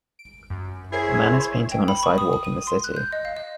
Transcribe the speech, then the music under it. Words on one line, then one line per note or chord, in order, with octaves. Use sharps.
A man is painting on a sidewalk in the city.
D7
F#2
E4 G#4 A#4 C5 C#5 G#5 C7
G5
B5
C#6
D#6
D#6
D#7
C6
F#6
G6
D#5
F5
D#5